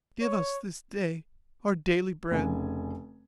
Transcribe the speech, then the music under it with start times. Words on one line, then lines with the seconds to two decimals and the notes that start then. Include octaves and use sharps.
"Give us this day our daily bread."
0.21 C#5
2.31 F1 C#3 G#5